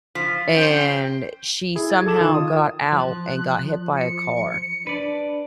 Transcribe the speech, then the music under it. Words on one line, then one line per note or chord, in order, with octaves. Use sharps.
and she somehow got out and got hit by a car.
F3 B6
C#4 C5 G5
E4 G#4
G#6 A6
A4 A5 D6 E7
D#3 F4
D#6
F3 F#6
C#7
D4 B4 D5